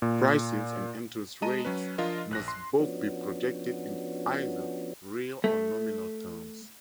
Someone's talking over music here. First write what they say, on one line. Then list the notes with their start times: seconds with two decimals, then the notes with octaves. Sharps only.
Prices and interest rates must both be projected in either real or nominal terms.
0.02 A#2
1.42 G#3 D#5 A5 A#5 D#7
1.65 F#3 C#4 B4
1.98 F3 D4 F4 A#4 D#5
2.31 A#1 F#6 A#6
2.48 C6
2.79 F3 B3 C#4 D4 F#4
5.44 A3